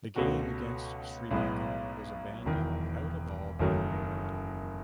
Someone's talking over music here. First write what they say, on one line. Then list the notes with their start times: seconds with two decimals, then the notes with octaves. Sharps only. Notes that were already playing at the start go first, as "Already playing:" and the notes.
The game against Sri Lanka was abandoned without a ball being bowled.
0.16 C#2 B2 A3 C#4 F#4
1.31 B1 A2 G#3 B3
2.45 E1 E2 D#3
3.59 F#1 F#2 D#3 F#3 A3